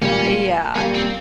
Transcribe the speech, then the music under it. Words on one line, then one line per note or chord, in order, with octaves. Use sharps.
Uh, yeah.
A#2 G3 A#3 C#4
A#2 G3 A#3 C#4
C4